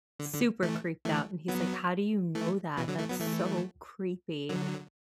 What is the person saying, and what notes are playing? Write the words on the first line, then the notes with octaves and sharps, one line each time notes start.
super creeped out, and he's like, "How do you know that? That's so creepy."
D3
D3
E3 A3
E3 A3
F#3 B3
E3 A3
B2 E3
D3 F#3
E3 A3
F#3 B3
E3 A3
D3 F#3